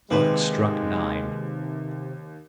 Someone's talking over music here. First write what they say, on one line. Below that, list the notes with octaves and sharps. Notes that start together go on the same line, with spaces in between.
The clock struck nine.
D#2 C3 G#3 C4 B4 C5